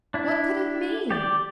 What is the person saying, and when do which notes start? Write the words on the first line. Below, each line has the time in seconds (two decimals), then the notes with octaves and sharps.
What could it mean?
0.14 D4 E4
1.10 G4 D5